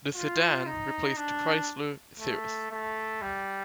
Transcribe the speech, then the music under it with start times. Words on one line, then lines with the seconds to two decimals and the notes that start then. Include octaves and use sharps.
The sedan replaced the Chrysler Cirrus.
0.15 F4
0.66 D#4
1.17 D4
2.20 A3
2.71 A3
3.22 G3